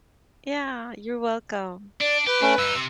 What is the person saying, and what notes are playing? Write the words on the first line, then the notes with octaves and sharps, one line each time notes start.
Yeah, you're welcome.
D4 D5
G4 B4
A3 C#4 D4
G2 D#4 E6
C3